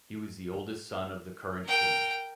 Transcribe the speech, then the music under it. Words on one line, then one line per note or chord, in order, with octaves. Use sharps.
He was the oldest son of the current king.
A#4 G5